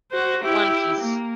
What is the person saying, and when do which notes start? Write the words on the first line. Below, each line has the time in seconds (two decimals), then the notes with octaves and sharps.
One Piece.
0.12 F#4 C5
0.44 E4 G4
1.01 A#3